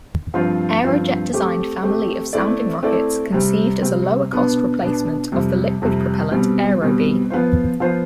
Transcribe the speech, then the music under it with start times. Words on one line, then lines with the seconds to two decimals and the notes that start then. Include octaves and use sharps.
Aerojet-designed family of sounding rockets conceived as a lower-cost replacement of the liquid-propellant Aerobee.
0.34 G2 F3 C4 F4 C5
0.84 G2 F3 C4 F4 C5
1.33 A3 C4 G4
1.83 A3 C4 G4
2.33 A3 C4 E4 A4 D5
2.83 A3 C4 E4 A4 D5
3.32 C3 G3 C4
3.82 C3 G3 C4
4.32 B2 B3 D4
4.82 B2 B3 D4
5.32 F2 C3 G3
5.82 F2 C3 G3
6.31 B2 G3 C4
6.81 B2 G3 C4
7.30 F3 B3 F4 C5
7.80 F3 B3 F4 C5